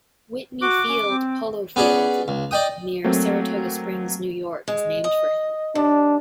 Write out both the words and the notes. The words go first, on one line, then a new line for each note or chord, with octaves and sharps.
"Whitney Field" polo field near Saratoga Springs, New York is named for him.
F#4 D6
C#4
C4
B3 C#4 G#4 D5
C#2
D5 D#5 G5 D#6
F#3 A3 A#3 C4
G#3
D#5
D#2 D4